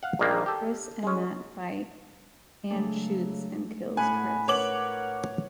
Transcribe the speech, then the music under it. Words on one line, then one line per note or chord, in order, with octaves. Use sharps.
Chris and Matt fight, Anne shoots and kills Chris.
F5 F#5
A#1 D#3 G3 G#3 A#3
G4 A4
G#3 C#4
C#3 F#3 G#3 A3 D4
A2 F#5 G#5 B5 F#6
A#4 B4 C#5 F#5 D6 F#7